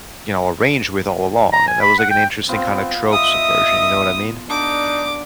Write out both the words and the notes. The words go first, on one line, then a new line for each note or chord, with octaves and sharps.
you know, arranged with all along, and that was, like, an interesting, kinda, trope subversion, you know what I mean?
A#5
G#5
B5
F#5
G5
B3 C4 F4
D#5 E5 D#6
D3 D4 D#4 D6